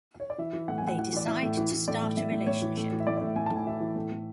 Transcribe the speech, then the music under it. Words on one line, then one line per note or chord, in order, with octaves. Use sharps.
They decide to start a relationship.
C#5
D5
E3 E5
E3
A2 F#5
G#5
A2 F#5
E3 F#5
E3 D5
E3 E5
A2
E3
E3
A2 D5
A2
A2 E5
A2
A2 C#5
E3
A2
E3
E5
A2 D5
D5
A2
E5
A2 G#5
A5
A2 G#5
E3 E5
E3
A2
A2